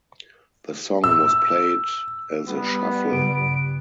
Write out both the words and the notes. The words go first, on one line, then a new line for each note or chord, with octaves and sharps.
The song was played as a shuffle.
E6
G3 B3
G2 C#3 F#3 D7